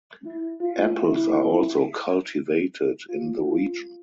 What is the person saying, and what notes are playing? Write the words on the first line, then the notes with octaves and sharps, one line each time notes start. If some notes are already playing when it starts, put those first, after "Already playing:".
Apples are also cultivated in the region.
E4
F4
E4
F4
F4